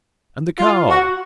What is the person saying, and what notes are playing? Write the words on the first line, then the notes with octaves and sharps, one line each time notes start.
"And the cow?"
F4
F#4